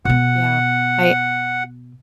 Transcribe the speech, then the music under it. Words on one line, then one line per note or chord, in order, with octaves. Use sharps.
Yeah, I
B2 B3 F#5